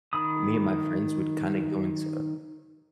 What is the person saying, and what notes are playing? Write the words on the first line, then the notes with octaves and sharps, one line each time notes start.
me and my friends would kind of go into
D#3 B5 D#6